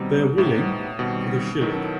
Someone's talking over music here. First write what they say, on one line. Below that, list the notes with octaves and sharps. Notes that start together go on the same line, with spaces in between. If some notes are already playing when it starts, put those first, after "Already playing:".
They're willing - for the shilling.
Already playing: B2 D#3 G3 C4 D#4
A2 B3 D#4 G4 C5
B2 D#3 G3 C4 F#4
D#3 F#3 B3 E4 A4